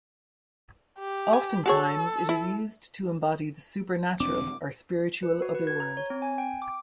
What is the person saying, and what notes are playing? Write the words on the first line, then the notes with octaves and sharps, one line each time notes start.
Oftentimes it is used to embody the supernatural or spiritual other world.
G4
G#5
F#4 G#4 A4 C#5
E4
E1 C4 D4 D6
B4
F#4
B4
G#6
A#5
C#5
C4
G#5
G5
D6